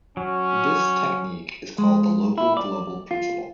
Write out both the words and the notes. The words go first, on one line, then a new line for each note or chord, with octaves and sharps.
This technique is called the local-global principle.
F#3 C#4
G#3
E4
D5
F4